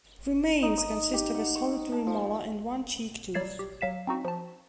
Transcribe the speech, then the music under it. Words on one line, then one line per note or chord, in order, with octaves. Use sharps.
Remains consist of a solitary molar and one cheek tooth.
D#4
D#6
G4
F#5
C#6
A5
F3
F#3 G3 D5 G#6 C7 E7
G4
F#3 F5 B6 E7
C4 D#4 F#4
F3 A5